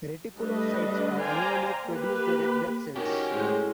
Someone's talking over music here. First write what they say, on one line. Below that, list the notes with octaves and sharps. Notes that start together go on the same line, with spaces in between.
Reticulocytes are newly produced red blood cells.
G3 A3 D4 B4 D#5
C5 D5 F5 G5 G#5 A#5
A#3 G4 B4
D#3 C#4 F#4 G4
A2 G#3 C5